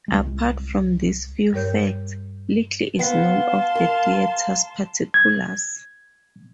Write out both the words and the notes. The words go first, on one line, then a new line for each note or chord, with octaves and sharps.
Apart from these few facts, little is known of the theatre's particulars.
C2 G#3
G2 G3 A#4 C#5 G6
B3 B4 F5 A5 C6
A#4
G#6